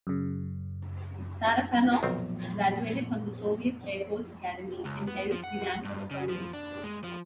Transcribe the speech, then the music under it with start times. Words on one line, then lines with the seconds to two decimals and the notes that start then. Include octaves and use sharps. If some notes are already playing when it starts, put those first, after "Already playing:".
Sarafanov graduated from the Soviet Air Force academy and held the rank of Colonel.
0.07 F#2 C#3
2.03 B1 A#2 D#3 F3 F#3 A3 B3 C4
4.85 C#2
5.07 B3
5.32 F3
5.44 F#5
5.85 G2
6.11 C#3
6.29 F3
6.53 D4
6.84 G#3
7.04 F3